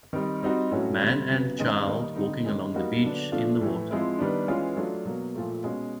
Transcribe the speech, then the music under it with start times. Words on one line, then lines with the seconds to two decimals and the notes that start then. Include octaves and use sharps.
Man and child walking along the beach in the water.
0.13 D#3 G3 C4 D#4
0.43 G3 C4 D#4 F#4
0.71 A2 F#3 A3 C#4 F#4
1.00 D3 G3 C4
1.29 C#3 F#3 B3
1.58 C3 D#3 G#3 C#4
1.87 D#3 G3 A#3 D#4
2.16 D3 G3 C4 D#4
2.45 D#3 G#3 C#4
2.74 G3 A#3 D#4 F#4
3.03 D3 F#3 B3 D4
3.32 F3 A3 D4 F4
3.61 A2 E3 A3
3.90 F3 G#3 C4 E4
4.19 D#3 G3 B3 D4
4.48 E3 G#3 C#4 F4
4.76 F#3 A3 D4 F4
5.05 B2 F#3 A#3
5.35 A#2 F3 A3
5.64 B2 G#3 C#4 F#4